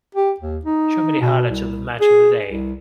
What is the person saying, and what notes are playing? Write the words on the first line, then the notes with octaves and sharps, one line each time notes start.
Show me the highlights of the match of the day.
G4
D#2
D#4
B2
C2
G#4
C2